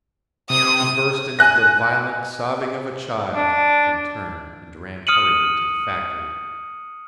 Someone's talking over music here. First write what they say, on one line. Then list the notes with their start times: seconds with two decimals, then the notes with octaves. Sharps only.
She burst into the violent sobbing of a child, and turned and ran hurriedly to the factory.
0.50 C3 D#6
1.39 G#5 F#6 A#6
3.34 D4
5.07 D#6 F6 C#7 D#7 F#7